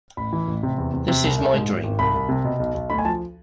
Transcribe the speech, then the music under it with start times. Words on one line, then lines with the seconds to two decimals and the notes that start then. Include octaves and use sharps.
This is my dream.
0.17 A1 B5
0.33 E3
0.48 A1
0.63 C3
0.78 E2
0.93 C3
1.08 C3
1.24 C2
1.38 C2
1.54 G#2
1.68 G#1
1.83 G#1
1.99 C2 B5
2.14 C2
2.29 C3
2.44 B2
2.60 B1
2.75 B1
2.90 D2 B5
2.99 G#5
3.05 F3 A5